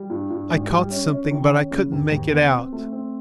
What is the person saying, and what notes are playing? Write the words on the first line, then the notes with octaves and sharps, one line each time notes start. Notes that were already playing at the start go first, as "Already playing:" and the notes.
I caught something, but I couldn't make it out.
Already playing: G3
G2
G2
G#1
G3
C#4
C#4
D#3
C#4
C#3
D#2
D#2
B3
C4
A3
C4